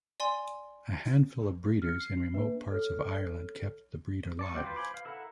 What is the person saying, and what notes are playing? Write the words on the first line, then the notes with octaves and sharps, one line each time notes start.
A handful of breeders in remote parts of Ireland kept the breed alive.
D5 G#5 C6
F6 C#7
C7
A#3 D4 B4 E5
A4 C#5 F6
D5 A5 C#6
G3 C4 F#4 D5 G5
F4 B4
C5 G#5 B5 D6
B4 F5
E4 A4 A#4 E5 F#5